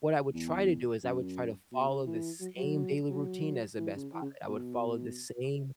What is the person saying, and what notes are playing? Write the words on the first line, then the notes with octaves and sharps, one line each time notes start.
what I would try to do is I would try to follow the same daily routine as the best pilot, I would follow the same
E2
F#2
B2
C#3
E3
F#3
F#3
F#3
E3
C#3
E3
C#3
B2